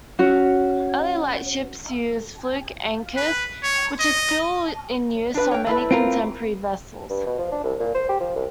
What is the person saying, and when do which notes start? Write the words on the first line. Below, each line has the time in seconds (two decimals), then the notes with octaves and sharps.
Early lightships used fluke anchors, which are still in use on many contemporary vessels.
0.19 C#4 F#4
3.16 B4
3.63 C#5
4.00 D#5
5.34 D4 B4
5.51 C#5 G5
5.67 A3 E4 B4
5.91 C4 F4 A#4
7.10 G2
7.26 B2
7.38 F3
7.52 D4
7.64 C2
7.80 A#2
7.95 C5
8.09 G4
8.20 F3
8.35 C2